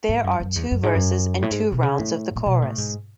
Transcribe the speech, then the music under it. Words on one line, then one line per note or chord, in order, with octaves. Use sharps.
There are two verses and two rounds of the chorus.
G#2
F#2
F#2
E2
F#2
G#2
F#2
A2
G#2
B2
C#3
A2
A2
B2
A2
G#2